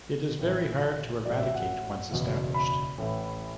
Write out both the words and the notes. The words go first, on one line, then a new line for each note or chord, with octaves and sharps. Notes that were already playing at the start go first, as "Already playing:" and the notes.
It is very hard to eradicate once established.
A1 A2 E3
A1 A2 F#3 D5
E5
F#5
F#1 E2 B2
B5
A1 A2 E3